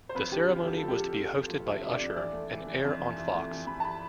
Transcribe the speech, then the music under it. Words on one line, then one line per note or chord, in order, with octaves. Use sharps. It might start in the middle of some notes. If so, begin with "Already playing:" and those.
The ceremony was to be hosted by Usher and air on Fox.
C5
F2 B4
D3 G4
F2 F4
D3 G4
A4
F3
G4
F2 A4
F2 G4
F2
F3
D3 E5
D3 E5
D5
F2
E3 D5
A3
E3
E3
F2
E3
E3
A3
E3
E3 B5
A5
B5